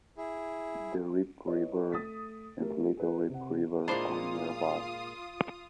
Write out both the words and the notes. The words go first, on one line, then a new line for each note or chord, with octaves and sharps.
The Rib River and Little Rib River are nearby.
E4 G#4
E4 B4 C#5 D#5
A3 A4 D#6 A6 B6
A3 G4 A#4
G#4 B4
C3 F#5
A#2 G#3 D4 E4 F4 C5 D#6